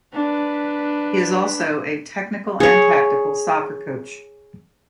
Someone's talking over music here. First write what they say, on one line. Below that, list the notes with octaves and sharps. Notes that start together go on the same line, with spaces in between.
He is also a technical and tactical soccer coach.
D4 B4
G#4 C#5